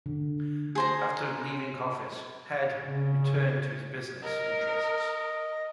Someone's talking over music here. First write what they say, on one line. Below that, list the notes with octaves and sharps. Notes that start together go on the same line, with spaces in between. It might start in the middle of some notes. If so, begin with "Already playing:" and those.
After leaving office Head returned to his business interests.
D3
G#4 C5 A#5
C#3
A#4 D#5